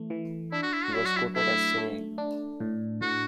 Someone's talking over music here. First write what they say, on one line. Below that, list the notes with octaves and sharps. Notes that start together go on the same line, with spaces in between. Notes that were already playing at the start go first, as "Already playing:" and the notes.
He was quoted as saying.
Already playing: E3 A3
E3
D4 E4
F#4
E4
F#4
F#3 E4
F#4
E4
A3 E4
A3
D4
A2
A2 F#4